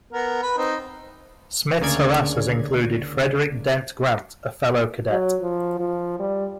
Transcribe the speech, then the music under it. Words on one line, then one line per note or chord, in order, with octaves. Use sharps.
Smith's harassers included Frederick Dent Grant, a fellow cadet.
B3 A#4
B4 B5
C4 D#4
D2 C#3 A#3 C#4 D5 G#6
F#3
F3
F3
G3